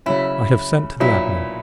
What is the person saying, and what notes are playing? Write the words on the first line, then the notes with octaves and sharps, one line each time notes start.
I have sent to the Admiral.
C#3 F#3 C#4 E4
B1 A#2 F#3 E4